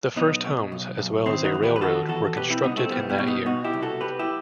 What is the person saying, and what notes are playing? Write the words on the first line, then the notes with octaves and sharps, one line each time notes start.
The first homes, as well as a railroad, were constructed in that year.
B1 B3 D#4
B2
B1
B1
D#3 C4 E4
D#4 F#4
E2
G4 B4
B4
D#3 F#4 A4
E2 F#4 A4
B2 G4 B4
C4 E4
C2 B3 D#4
A3 C4
C2 G3 B3
G3 B3
B2
B3 D#4
B2 D#4 F#4
E4 G4
C2
F#4 A4
C2 G4 B4
E4 G4